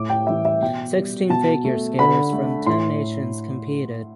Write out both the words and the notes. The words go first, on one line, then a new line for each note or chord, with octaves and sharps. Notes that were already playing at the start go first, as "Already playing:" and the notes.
Sixteen figure skaters from ten nations competed.
Already playing: A2 D6
G5
E3 G3 E5
E5
B2 G5
G3
B2 A5
A3
D3 B5
A3
A2 C6